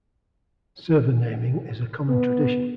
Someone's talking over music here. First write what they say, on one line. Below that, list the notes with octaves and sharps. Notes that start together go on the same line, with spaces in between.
Server naming is a common tradition.
B3